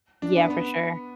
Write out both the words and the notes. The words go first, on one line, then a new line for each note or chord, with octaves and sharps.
Yeah, for sure.
D4
B3
B3